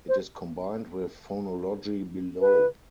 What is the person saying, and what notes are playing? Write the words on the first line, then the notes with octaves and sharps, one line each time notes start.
It is combined with phonology below.
C5
B4